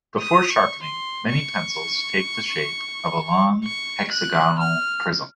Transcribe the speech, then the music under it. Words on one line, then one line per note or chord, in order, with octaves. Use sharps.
Before sharpening, many pencils take the shape of a long hexagonal prism.
D#6
C#6
C6
C#6
C#6
F#6
F6